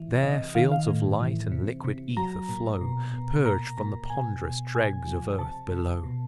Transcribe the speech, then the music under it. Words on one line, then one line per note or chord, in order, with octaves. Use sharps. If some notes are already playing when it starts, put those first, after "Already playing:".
There fields of light and liquid ether flow, Purg'd from the pond'rous dregs of earth below.
Already playing: E3
C3 D#5
D#3 F5
F5
A2
E3
C3
C3
F#3 A#5
A#2
B2
B2
A#2 A#5
A#2 A#5
B2 G#5
B2
A#2 G#5
F3
C3 A5
C3
B2